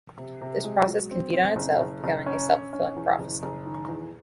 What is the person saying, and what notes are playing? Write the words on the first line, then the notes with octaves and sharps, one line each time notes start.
This process can feed on itself, becoming a self-fulfilling prophecy.
C3
C3
G#3
F#3
C4
C4
F#1
F#1
F#1
C#4
C#4
C#4
E2
F#1
F#1
D#3
E2